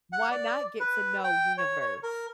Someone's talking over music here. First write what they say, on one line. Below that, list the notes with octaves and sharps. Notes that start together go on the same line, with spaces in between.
why not get to know universe?
F#5
D5
B4
G5
C#5
C#5
A#4